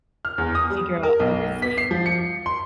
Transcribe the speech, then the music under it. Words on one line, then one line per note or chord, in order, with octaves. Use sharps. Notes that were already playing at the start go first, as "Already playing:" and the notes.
figure out everything.
F6
E2
D#6
G3
A#4
B1
B6
C7
F3
C#7
C6